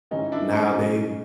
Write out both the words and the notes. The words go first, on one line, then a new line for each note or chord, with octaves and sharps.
now they've
G#2 E3 G3 C#4 D#4
D4 E4
C#4 D#4
B2 F#3